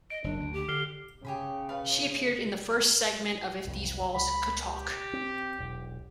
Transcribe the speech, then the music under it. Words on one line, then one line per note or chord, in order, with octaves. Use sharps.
She appeared in the first segment of "If These Walls Could Talk".
D#5 D7
F#1 D4
D2
G4
D3 F6 C7 G7
C#3 G4 G#4 B5
B4 F5 A5
F#1 C2 F2
C#2 B5
G4
C4
E1 B1